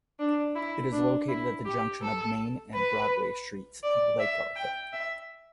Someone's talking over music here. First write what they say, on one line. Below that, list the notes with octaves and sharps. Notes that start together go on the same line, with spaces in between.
It is located at the junction of Main and Broadway Streets in Lake Arthur.
D4
E4
D4
E4
G4
A4
B4
D5
E5
G5
E5